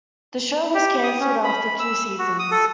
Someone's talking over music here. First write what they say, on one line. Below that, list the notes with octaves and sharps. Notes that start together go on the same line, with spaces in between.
The show was cancelled after two seasons.
G4
D#6
C#4
B5
E6
F#4
D#6
A4